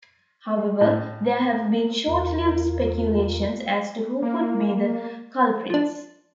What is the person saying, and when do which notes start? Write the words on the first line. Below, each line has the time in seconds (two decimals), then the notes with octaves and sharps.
However, there have been short-lived speculations as to who could be the culprits.
0.81 A2
2.07 E2 F4 A#4
4.22 A#3
5.70 F3 D4